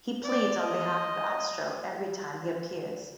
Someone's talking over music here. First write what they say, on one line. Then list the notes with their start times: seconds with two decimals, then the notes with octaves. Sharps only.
He pleads on behalf of Astro every time he appears.
0.24 D5
0.58 D#5